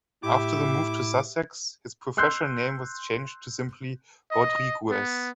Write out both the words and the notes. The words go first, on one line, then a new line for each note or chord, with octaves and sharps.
After the move to Sussex, his professional name was changed to simply Rodriguez.
A2 E4 G4 E5 D6
C6 E6 F#6 G6 C7
D#5
B3